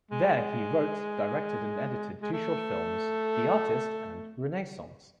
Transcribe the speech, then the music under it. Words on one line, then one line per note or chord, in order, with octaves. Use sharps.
There he wrote, directed and edited two short films, "The Artist" and "Renaissance".
G#3
G#3
A3